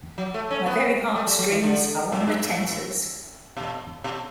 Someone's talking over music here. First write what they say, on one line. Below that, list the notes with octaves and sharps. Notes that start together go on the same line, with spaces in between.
My very heart-strings Are on the tenters.
F#3
A3
C#4
B3
A3
G3
F#3
E3
D3
B2
A2
G2
A2
B2
B2